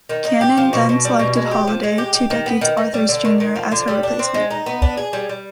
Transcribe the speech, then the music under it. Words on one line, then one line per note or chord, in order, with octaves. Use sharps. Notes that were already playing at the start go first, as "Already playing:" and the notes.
Kanin then selected Holliday, two decades Arthur's junior, as her replacement.
D#3
D#4
G4
F3
B2
B2
G3
B2
G#3
G4
F3
G#3
G4
G4
D#3
B3
D#3
D#3
G3
D3
D#3
D#3
F3
D3
G3
D4
C4
G#3
D#4
B3
D4
G#4
G3
G3